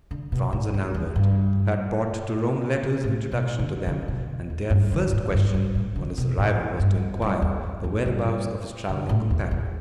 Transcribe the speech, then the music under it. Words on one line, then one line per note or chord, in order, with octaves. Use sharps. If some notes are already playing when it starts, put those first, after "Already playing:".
Franz and Albert had brought to Rome letters of introduction to them, and their first question on his arrival was to inquire the whereabouts of his travelling companion.
D3
B2
A2
G2
E2
G2
A2
B2
D3
D3
B2
E2
G2
D3
A2
G2
G2
A2
D3
B2
A2
G2
G2
E2
E2
G2
D3
A2
E2
E2